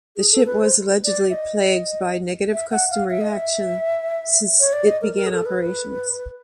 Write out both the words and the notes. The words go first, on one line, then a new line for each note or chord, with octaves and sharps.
The ship was allegedly plagued by negative customer reaction since it began operations.
G#4
A4
B4
C5
D5
E5
D#5
E5
F#5
F5
E5
D#5
E5
C#5
D5
D#5
A#4
A#4
G#4
A4
B4